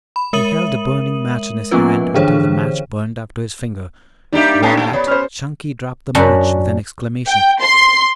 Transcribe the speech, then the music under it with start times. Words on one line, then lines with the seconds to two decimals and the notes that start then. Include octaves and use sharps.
He held a burning match in his hand until the match burned up to his finger, whereat Chunky dropped the match with an exclamation.
0.16 B5
0.33 G#3 A#4 E5 D#6 D#7 F#7
1.71 F3 A#3 B3 C#4 F4 B4
2.14 D3 E3 D4 G#4 C5 C#5
4.33 G3 A#3 D4 D#4 G4 D5 E5
4.62 A3 B3 C#4 G5 A5 C7
4.77 A#2 A3
4.93 B3 C#5 D5 B5
5.07 C#4 C5 B5 F6
6.15 F#2 C#4 D4 F#4
7.27 G5
7.62 C6